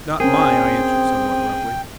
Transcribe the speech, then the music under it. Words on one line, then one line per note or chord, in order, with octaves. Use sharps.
"Not mine," I answered somewhat roughly.
C4 C#4 G#4 A#4 G5